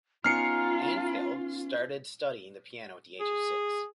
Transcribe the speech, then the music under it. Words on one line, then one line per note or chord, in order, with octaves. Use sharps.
Antheil started studying the piano at the age of six.
B3 C#4 D#4 F4 A#5 F6 C7 C#7
G#4